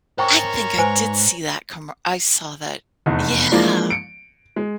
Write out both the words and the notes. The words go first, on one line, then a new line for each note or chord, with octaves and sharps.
I think I did see that commer I saw that, yeah.
A#4 C5 C#5 G5 G#5 A#5 C#6
G#2 B4 C5 G#5
F1 E2 D#4
E3 F3 G#3 A#3 D4 D5
C#7 D7
G#3